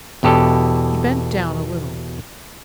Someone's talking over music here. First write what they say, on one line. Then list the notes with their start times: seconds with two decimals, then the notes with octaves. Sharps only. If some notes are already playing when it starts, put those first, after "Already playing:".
He bent down a little.
0.23 E2 B2 G4 A4